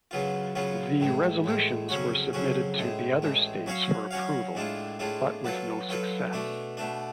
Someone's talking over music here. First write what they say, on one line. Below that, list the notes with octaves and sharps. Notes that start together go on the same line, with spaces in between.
The resolutions were submitted to the other states for approval, but with no success.
C#3 F#3 B3 F4
C#3 F#3 B3 F4
A1 A2 G#3
A1 A2 G#3
F2 C#3 F#3 C#4 F#4
F2 C#3 F#3 C#4 F#4
A1 A2 G#3
A1 A2 G#3
F#3 C#4 F#4 C#5 F5
F#3 C#4 F#4 C#5 F5
A2 G#3 D4 F4
A2 G#3 D4 F4
F#3 B3 F4 A4
F#3 B3 F4 A4
B2 A3 D4
B2 A3 D4